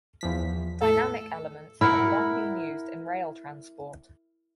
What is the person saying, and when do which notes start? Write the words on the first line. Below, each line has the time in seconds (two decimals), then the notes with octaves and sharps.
Dynamic elements have long been used in rail transport.
0.21 E2 F3 B6
0.82 A2 A4
1.81 E4 A#4 F#5